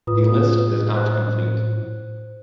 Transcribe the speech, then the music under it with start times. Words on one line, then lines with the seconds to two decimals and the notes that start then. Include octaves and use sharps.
The list is not complete.
0.07 A2 F4 B4 D#6
0.95 C5 F#6